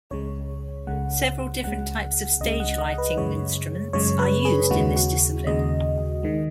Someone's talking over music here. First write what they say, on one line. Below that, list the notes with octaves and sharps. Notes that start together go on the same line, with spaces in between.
Several different types of stage lighting instruments are used in this discipline.
C#2 C#3 G#3 C#5
C#2 C#3 G#3 F#5
C#2 C#3 G#3 F#5
C#2 C#3 G#3 D#5
F#5
D#5
B4
F#2 C#3 G#3 C#5
F#2 C#3 G#3 C#5
B4
G#4
D#2 C#3 G#3 F#4
F#4
D#2 C#3 G#3 D#5
D#3 G#3